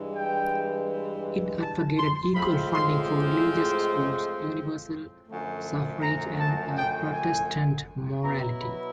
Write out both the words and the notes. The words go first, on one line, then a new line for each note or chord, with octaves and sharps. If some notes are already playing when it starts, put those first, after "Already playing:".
It advocated equal funding for religious schools, universal suffrage and Protestant morality.
Already playing: G2 E3 G#3
G5
A5
C6
A2 F3 G#3 C4 B5
C6
F#2 D3 F3 A3
A#5
A5
G5
G#5
B2 F#3 B3 E4 A#5
B5